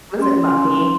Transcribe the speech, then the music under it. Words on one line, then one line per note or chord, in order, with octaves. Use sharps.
Was it mucky?
C#4 C6